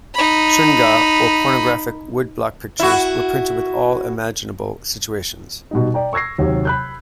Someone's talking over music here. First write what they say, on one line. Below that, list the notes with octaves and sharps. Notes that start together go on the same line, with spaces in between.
Shunga or pornographic wood-block pictures were printed with all imaginable situations.
D#4 B5
E4 F#4
B2 G3 D#4
D5 G5 A#5
C#6 E6 G#6 A#6 C7
D#2 C3 F#3
B5 F#6 G6